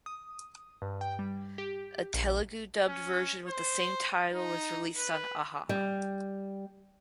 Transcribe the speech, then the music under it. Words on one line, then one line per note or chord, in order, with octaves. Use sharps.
A Telugu dubbed version with same title was released on Aha.
D#6
G2
G5
G3
G4
A#1
C#4
C5
D#4
B4
G3